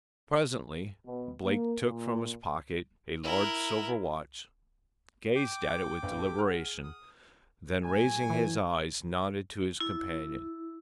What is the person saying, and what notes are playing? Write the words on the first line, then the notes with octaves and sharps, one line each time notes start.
Presently Blake took from his pocket a large silver watch, gazed at it with deliberation, then raising his eyes nodded to his companion.
B2
A#3
A#2
E4 A#4
G5 D6
A#1 B4 F5
G4 A4
G#4 F#5 F6
D#6
A2 F#3 G#5
E3
E4